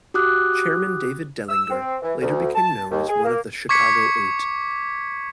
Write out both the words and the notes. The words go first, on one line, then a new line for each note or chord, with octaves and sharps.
Chairman David Dellinger later became known as one of the Chicago Eight.
F#4 G4 D6 D#6 F#6
E6
C4
E3
D2
A5
D#2
G#4
A#3
C#6 D6 G#6 B6 C#7